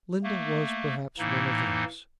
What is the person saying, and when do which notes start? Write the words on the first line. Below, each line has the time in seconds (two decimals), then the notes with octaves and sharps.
Linda was, perhaps, one of those.
0.24 A3 A#3
1.19 A2 E3 A#3 D#4